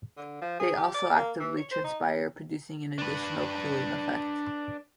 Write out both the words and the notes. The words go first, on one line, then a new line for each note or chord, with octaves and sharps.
They also actively transpire, producing an additional cooling effect.
D3
F3
G#4
G4
D5
A#3
E3
C#5
C5
D#4
D4 B4